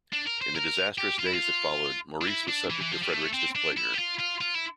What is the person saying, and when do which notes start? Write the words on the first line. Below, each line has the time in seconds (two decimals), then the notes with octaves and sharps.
In the disastrous days that followed, Maurice was subject to Frederick's displeasure.
0.13 D4
0.27 A#4
0.42 C5
0.56 A#4
0.98 G4
1.19 F4
1.27 E4
1.33 F4
2.22 D4
2.27 E4
2.48 D4
2.70 E3
2.81 E3
2.91 F3
3.02 G3
3.13 A3
3.33 C4
3.55 D4
3.77 E4
3.93 G4
3.99 F4
4.19 F4
4.41 F4
4.55 E4